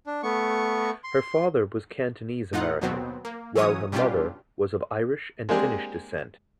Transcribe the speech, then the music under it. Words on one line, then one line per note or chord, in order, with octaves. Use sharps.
Her father was Cantonese American, while her mother was of Irish and Finnish descent.
D4
A3 B3 C#6
C6
A2 D#4 F4 F#5
D#2 B2 F#3 B3 C4
A#3
E3 F#3 C#4 C#5 D#6
B2 G3 C#4 D4 F4 G4
G#3 A#3 C4 D4 G4 G#4